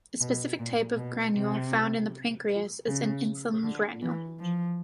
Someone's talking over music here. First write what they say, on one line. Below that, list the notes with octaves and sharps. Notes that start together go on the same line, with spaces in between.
A specific type of granule found in the pancreas is an insulin granule.
B2
A#2
B2
C3
C#3
D3
E3
F3